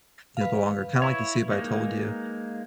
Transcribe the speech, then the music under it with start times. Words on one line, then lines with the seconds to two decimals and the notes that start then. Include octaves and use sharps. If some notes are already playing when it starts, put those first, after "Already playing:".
you know, the longer kinda like the soup I told you,
0.37 B4 F5
1.02 E4 C#5
1.51 G#3 A#3 D#4